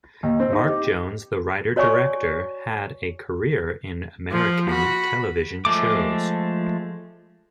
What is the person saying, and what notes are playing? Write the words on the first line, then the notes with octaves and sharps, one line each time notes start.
Mark Jones, the writer-director, had a career in American television shows.
D#2
C4
D#4
G4
F#4 C#5 D5 G#5 C#6
F3
F#4 B5
F3 G#3 A3 D6